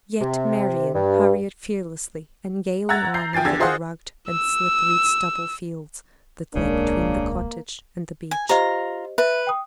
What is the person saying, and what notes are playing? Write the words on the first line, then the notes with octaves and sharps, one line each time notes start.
Yet Marian hurried fearlessly and gayly on over the rugged and slippery stubble fields that lay between the cottage and the beach.
C3
G2
F#5 A#5 E6 G#6 A6
A#5 G6 C7
F3 G5 G#5 A6 C7
E2 D3 G4 E6 G#6 A6
F4 G#4 C5 D#5 F5 F#5
E6
D1 B1 C#3 G#3 A#3 D4
G#5
F4 G4 C5 D#5 A#5
B4 E5
G5 D#6